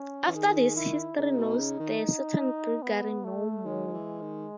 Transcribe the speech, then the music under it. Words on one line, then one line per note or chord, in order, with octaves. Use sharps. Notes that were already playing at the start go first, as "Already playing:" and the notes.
After this, history knows the "certain Gregory" no more.
Already playing: C#4
E3
D#3 G#4
E4
C#3 D#4
B2
C#3
D#3
B3
A3
D#3 G#3
D#3
E3
D#3